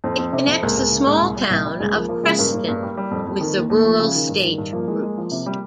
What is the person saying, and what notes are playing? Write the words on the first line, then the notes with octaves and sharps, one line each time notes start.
It connects the small town of Creston with the rural state routes.
F2 C4
F2
C3 C4
F2
C#2 A#3
C#2
C#3
C#2
C2
G3
C2
G3
C#2 G#3
F3 A#3
F3 A#3
C#3 G#3
G2 A#3
G2
G2
G3
G3
F2
F2
D#3
D#2
D#2
F3
C#3
D#3
G2
D#3
G2
F3 A#3
G#3
G#3
F3
C3
G3